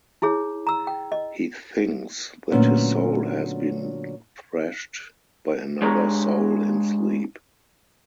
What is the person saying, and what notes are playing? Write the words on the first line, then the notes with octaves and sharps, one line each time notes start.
He thinks that his soul has been thrashed by another soul in sleep.
D#4 E4 G#4 C#5
A#5 E6
G5
D#5
A#2 D3 F#3 A3 B3 C#4
G#3 D4 G4 C#5 A#5